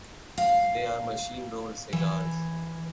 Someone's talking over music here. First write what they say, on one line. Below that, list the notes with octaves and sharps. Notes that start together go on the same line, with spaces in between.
They are machine-rolled cigars.
F5
E3